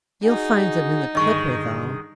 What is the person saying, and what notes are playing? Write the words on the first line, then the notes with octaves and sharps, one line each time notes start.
You'll find them in the 'Clipper,' though.
D#4 F#4 G#4
G2 D3 D#3 G#3 D#5 C#6